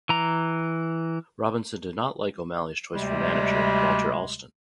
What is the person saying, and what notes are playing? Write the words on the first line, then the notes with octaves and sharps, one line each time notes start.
Robinson did not like O'Malley's choice for manager, Walter Alston.
E3 A#5
D2 C3 G3 G#3